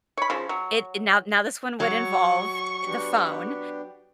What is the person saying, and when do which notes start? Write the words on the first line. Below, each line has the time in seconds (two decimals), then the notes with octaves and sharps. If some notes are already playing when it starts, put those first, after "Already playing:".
it i now now, this one would involve the phone,
0.17 C#5 B5
0.30 C#3 F3
0.49 F#3
1.80 F#3 C#6
2.83 B3 D4 G4